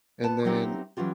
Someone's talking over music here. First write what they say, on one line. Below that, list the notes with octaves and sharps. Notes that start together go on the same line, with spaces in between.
and then
B3 B4 A5
F#3 B3 C4 D#4 E4 G4
E3 F#3 C#4 F4 G4